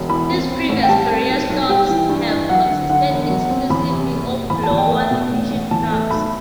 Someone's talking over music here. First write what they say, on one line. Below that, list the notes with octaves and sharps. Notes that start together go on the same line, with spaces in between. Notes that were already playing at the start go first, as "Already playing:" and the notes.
His previous career stops have consisted exclusively of lower division clubs.
Already playing: E1
E3 B5
C4
C4
A1
G5
G3 A5
C4
B1
B1
G3 G5
E3
G2
E3
F#3 F#5
D3
D3 F#5
E1
F#3
C4
E2 B5
C3
F#1
F#1
E2 B5
A5
E2
G5
A3
B2
A1
A1
E2 A5
A3
B1 B5